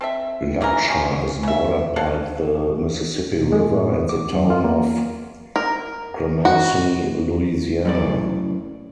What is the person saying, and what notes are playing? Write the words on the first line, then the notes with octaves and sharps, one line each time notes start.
Lutcher is bordered by the Mississippi River and the Town of Gramercy, Louisiana.
C4 A4 E5
C#3 E3 F#4 A#4
G3 C#4 F4
C#3 E5
F#3 A4 F5 F#5
B2
G#3
A2
B3
D6
F#2
F4
A#3
A#4
F#4
F#2 A2 D5